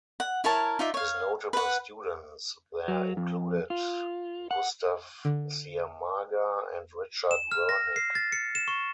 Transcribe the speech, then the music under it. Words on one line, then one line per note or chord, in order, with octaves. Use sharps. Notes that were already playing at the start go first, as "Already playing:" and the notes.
His notable students there included Gustav Ciamaga and Richard Wernick.
F#5
E4 A#4 C#5 A5
D#4 F4 D5 E5
C#5 F5
B4 F#5
F#3
F2
F4
F#5
D3
E7
F6
A#6
C7
A6
C#7
E7
C#6